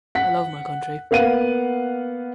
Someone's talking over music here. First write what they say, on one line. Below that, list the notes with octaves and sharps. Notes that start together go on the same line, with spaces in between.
I love my country.
F#5 B6
A#3 B3 F5 F#5 D#7